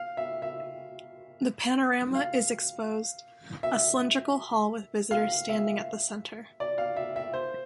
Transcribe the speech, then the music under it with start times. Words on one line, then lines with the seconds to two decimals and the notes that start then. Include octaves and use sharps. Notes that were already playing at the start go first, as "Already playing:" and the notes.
The panorama is exposed a cylindric hall with visitors standing at the center.
Already playing: F5
0.17 E5
0.42 E5
2.15 F5
3.63 E5
5.11 F5
5.49 E5
6.60 D5
6.78 F5
6.97 E5
7.16 E5
7.33 C5